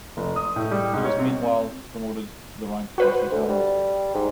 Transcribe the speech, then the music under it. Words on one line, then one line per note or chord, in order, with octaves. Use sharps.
He was meanwhile promoted to the rank of First lieutenant.
F1
D#6
A2
G3
G#2
C#5
C3
F#4 B4 C5
D2
G3
G#2